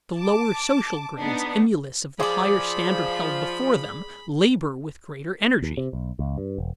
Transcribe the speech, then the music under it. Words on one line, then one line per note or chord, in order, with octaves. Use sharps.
The lower social grades, emulous of the higher standard held before them, labor with greater energy.
A5 D6
B3 D4 D#4
F3 G#4 C5 D5 B5
D#2
C3
B1
C#2
G2
E1